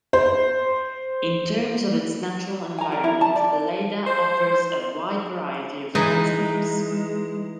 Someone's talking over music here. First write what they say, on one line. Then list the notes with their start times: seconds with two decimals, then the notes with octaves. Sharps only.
In terms of its natural environment, Lleida offers a wide variety of landscapes.
0.13 C5
2.78 G#5 A#5
2.92 A#4
3.04 E4 A#5
3.21 A5
3.36 D5
4.06 C5
5.95 E3 G#3 D#4